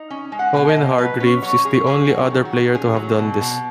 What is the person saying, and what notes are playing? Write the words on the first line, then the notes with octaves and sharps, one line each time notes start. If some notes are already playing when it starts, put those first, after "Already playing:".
Owen Hargreaves is the only other player to have done this.
Already playing: D#4
C#4
G#3
F#5
B2
D#5
B2
F#3 B4
C#4 B4
F#3 C#5
C#4 G#4
C#4 G#4
F#3
G#4
D#3
F#4
D#3
C#4 G#4
F#3
B2
B2